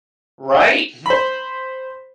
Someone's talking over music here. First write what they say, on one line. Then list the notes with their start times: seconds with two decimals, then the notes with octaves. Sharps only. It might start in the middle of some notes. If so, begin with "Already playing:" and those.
Right, mhm.
1.06 C5 B5